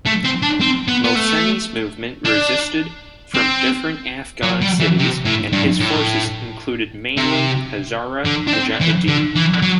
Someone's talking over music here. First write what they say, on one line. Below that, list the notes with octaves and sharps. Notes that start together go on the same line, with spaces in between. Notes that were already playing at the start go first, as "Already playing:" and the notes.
Mohseni's movement resisted from different Afghan cities and his forces included mainly Hazara Mujahideen.
A3
C4
D4
C4
B3
B3
A3
D4
C4
F#3
G3
E3
C3
A2
G2
A2
C3
D3
D4
C4
E3
D3
E3
F#3